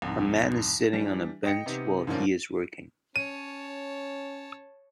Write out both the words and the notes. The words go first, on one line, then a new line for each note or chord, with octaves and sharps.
A man is sitting on a bench while he is working.
C2 F2 G#2
E3 G3 D4
D#5 G5 C#7
C3 B3 D#4 G4
G#2 D3 F3 A#3 C#4 D4
C#4 C#5 A5 D#7